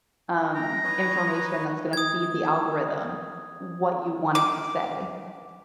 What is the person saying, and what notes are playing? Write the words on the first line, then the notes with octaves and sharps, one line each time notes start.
um, information that's gonna feed the algorithm what you want it to say?"
G5 A#5
B4 C#5 D#5
D#6 G#6
D6